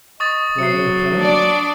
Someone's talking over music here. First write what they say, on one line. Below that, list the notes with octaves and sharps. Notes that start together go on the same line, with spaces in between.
"Where they are playing?"
D#5 C#6 D#6 A6
F#3 C7 C#7
D4 D5 D6